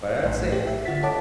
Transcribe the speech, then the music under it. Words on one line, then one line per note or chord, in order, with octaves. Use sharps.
But I would say
A#1 A2
A3 G4
E5
D3 F4 F#5 A6 B6
A4 C#5 D#5 F#5 A5 D6